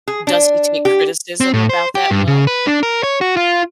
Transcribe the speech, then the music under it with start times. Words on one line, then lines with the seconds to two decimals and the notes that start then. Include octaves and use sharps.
Does he take criticism about that well?
0.08 G#4
0.27 D4
0.85 G4
1.40 C4
1.54 A2
1.69 C5
1.95 G4
2.11 G2
2.27 C#3
2.47 B4
2.67 D4
2.83 A#4
3.03 C#5
3.21 F#4
3.37 F4